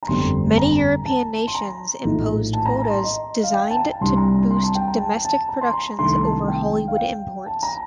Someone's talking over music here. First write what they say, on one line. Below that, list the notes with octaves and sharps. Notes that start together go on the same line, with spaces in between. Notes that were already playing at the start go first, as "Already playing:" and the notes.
Many European nations imposed quotas designed to boost domestic productions over Hollywood imports.
A#5
G1 F2 D3 G3 C4 C6
A#5
A5
C6
A#5
A#1 A2 F3 A3 D#4
A5
A#5
A#5
C6
D#5
F5
G5
A5
A#5
C2 C3 G3 D4 C6
A#5
A#5
C6
A5
G5
A#5
A5
A5
A#5
C6
A#5
C2 C3 D#3 A3 D4 C6
A5
G5
F5
G5
A5
A#5